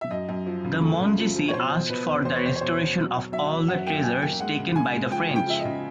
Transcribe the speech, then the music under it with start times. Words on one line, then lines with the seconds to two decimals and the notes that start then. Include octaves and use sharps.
The Monzesi asked for the restoration of all the treasures taken by the French.
0.01 E5
0.10 F#2 D#5
0.29 F#2
0.46 F3
0.64 C#3
0.82 A3
1.00 C#3
1.18 F3
1.36 F3
1.48 C#5
1.53 B2 C5
1.72 B2
1.89 B2 B4
2.07 E2
2.25 E2 C5
2.36 C#5
2.43 E2 C5
2.55 C#5
2.61 B2 C5
2.79 B2
2.97 F#3
3.15 F#3
3.32 F#3 E5
3.51 F#3
3.68 F#2 F#5
3.86 A#3 G5
4.04 F#3 G#5
4.22 A#3 G5
4.40 G#3 F#5
4.59 C#3
4.75 C#3 G#5
4.94 G#3
5.11 F3 G5
5.29 C#3
5.36 G5
5.47 F3 E5
5.60 D#5
5.65 C#3